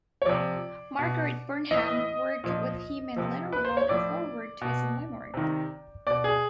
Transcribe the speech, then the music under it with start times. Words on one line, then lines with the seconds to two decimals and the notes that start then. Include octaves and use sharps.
Margaret Burnham worked with him and later wrote a foreword to his memoir.
0.22 C#5
0.26 C3 F3 D5
0.99 B2
1.71 A2 E3 D#5
2.44 A#2 F3
3.16 C3 F3
3.53 B4
3.65 C5
3.77 C#5
3.89 A2 F3 D5
4.61 B2
5.34 C3 D#3
6.07 B2 D5
6.24 G#4